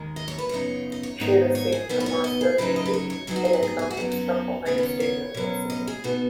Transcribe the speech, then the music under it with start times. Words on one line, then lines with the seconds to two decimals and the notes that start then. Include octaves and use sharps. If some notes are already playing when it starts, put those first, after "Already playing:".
She received a master's degree in economics from Ohio State University.
Already playing: D#2 D#3 G#3
0.16 D#5
0.28 C#5
0.38 B4
0.49 F#2 C#3 B3 D#4 C#5
0.92 D#5
1.03 C#5
1.20 G#2 D#3 G#3 B3 D#4
1.55 C#5
1.72 G#4
1.89 B2 B3 D#4 B4
2.00 B4
2.06 C#5
2.24 D#5
2.41 G#4
2.58 F#2 C#3 F#3 D#4 B4
2.76 D#5
2.86 B4
2.94 C#5
3.10 C#5
3.27 G#2 F#3 B3 D#4 G#4
3.36 F#4
3.45 G#4
3.53 B4
3.63 G#4
3.79 G#4
3.91 F#4
3.97 F#2 F#3 B3 D#4
4.12 F#4
4.65 D#2 C#3 B3 D#4 G#4
4.78 B4
4.83 C#5
5.00 C#5
5.34 B2 F#3 C#4
5.70 D#5
5.87 G#4
6.04 B2 B3 D#4 F#4